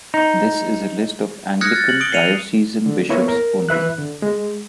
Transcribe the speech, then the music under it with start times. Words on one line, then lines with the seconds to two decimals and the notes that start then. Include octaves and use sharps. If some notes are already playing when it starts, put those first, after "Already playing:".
This is a list of Anglican Diocesan Bishops only.
0.14 D#4
1.61 D#6 F6 F#6 G#6 A#6 C#7
1.76 A6
1.89 F#7
2.01 D#6 D7 G7
2.13 C7 C#7 D#7 F7
2.86 D3
3.09 A#3 B3 E4 C#5
3.28 A#4
3.69 E3 B4 E5 F#6
3.98 D3
4.22 G#3